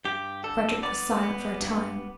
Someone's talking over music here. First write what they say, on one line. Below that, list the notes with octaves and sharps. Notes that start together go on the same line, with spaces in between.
Frederick was silent for a time.
G2 G4
D3 A4
B3 D5
B3
G2